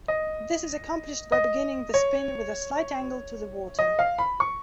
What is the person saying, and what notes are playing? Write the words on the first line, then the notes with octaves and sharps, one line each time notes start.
This is accomplished by beginning the spin with a slight angle to the water.
D#5
D#5
C#5
D#5
F5
B5
C#6